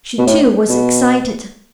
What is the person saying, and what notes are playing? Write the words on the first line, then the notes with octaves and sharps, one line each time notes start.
She, too, was excited.
B2
A2
B2